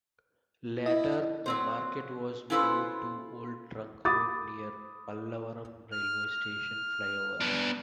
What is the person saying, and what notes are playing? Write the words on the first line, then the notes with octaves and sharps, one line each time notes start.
Later the market was moved to Old Trunk Road near Pallavaram Railway Station Flyover.
E4 D#5
F#3 C4 C5
C#4 E4 F4 A4 B4 C5
B5 D6 D#6 A6
F6
F6
B3 D4